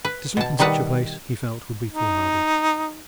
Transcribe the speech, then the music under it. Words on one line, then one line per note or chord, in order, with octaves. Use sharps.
To sleep in such a place, he felt, would be foolhardy.
B4
B2 A5
D#3 G3 D#4 B4 F#5 A5
D#4